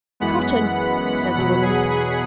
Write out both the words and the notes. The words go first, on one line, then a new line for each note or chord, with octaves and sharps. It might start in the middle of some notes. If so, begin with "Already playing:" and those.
"Cotton," said the woman.
F#2 E3 G#3 B3 F#5 B5
F#5 B5
F#5 B5
E2 B2 F#3 F#5 B5
G#4
G#4